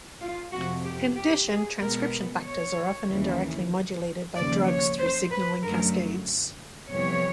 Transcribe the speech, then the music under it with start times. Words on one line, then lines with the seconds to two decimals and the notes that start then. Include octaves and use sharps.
In addition, transcription factors are often indirectly modulated by drugs through signaling cascades.
0.20 F4
0.52 F2 C3 F3 F#4
0.84 G4
1.16 G4
1.48 G#4
1.80 B2 G#3 B3 A#4
2.44 C#5
3.07 D#2 C#3 E3
4.35 D#2 C#3 F3 D5
4.66 C#5
4.99 C5
5.31 B4
5.62 F#2 D3 F#3 A3 A#4
6.90 F2 C3 E3 G3 B3 C#5